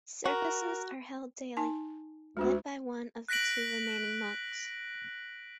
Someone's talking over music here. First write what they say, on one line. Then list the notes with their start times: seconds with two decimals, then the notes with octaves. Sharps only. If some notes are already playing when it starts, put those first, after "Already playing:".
Services are held daily, led by one of the two remaining monks.
0.26 F#4 A#4
1.57 D#4 G#5 A5
2.37 D2 G#3 D4 F#4
3.28 F#6 A#6 B6 D7 F#7